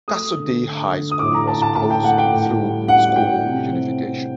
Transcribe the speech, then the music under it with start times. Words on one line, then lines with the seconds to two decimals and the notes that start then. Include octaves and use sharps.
Cassoday High School was closed through school unification.
0.08 A3 D#6
0.36 D3
0.63 D3
0.91 D3
1.11 D#6
1.19 A2 D6
1.34 A#5
1.48 A2 A5
1.62 A5
1.75 A2 A5
1.90 G5
2.04 A3 F#5
2.18 G5
2.32 A2
2.60 G3
2.88 D4 F#5
3.16 A2 G5
3.45 C3
3.71 C4
3.99 C3